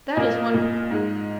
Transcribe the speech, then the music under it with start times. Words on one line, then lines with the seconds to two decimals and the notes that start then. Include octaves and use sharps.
That is one point.
0.16 A#2 A#3 D#5 G#5
0.54 A#2 A#3
0.91 G#2 G#3